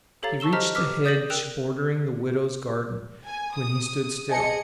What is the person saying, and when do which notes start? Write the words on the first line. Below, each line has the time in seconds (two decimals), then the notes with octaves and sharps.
He reached the hedge bordering the widow's garden, when he stood still.
0.23 G4 A4 C#5 F5 A#5 A6
0.40 A5 C#6 E6 E7 G7
0.52 G4 C5 D#5 A#5 F6 B6
0.75 G4 B4 D6 E6 F6 B6
1.04 D5 D#6 G6 A6 A#6 F#7
1.30 A#4 G5 E6 F#6 E7 F7
3.26 G#5
3.56 D#6
4.29 G#4 D#5 E5 G#5 A5 C#7